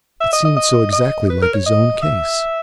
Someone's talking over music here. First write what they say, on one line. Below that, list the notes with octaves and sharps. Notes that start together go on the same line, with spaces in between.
It seemed so exactly like his own case.
E5
D#5
D#5
D#5
D#5
B4
A#4
C#5
D#5
E5